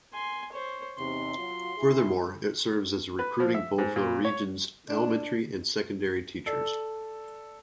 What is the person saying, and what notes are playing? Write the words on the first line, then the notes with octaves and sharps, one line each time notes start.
Furthermore, it serves as a recruiting pool for the region's elementary and secondary teachers.
G#5 C6
C5 C#5
E2 C3 D#4 C6
F#3 F4 F#4
E4 G#4
B4
F3
E5
G#2
A#2
C#5
D4
A4 D5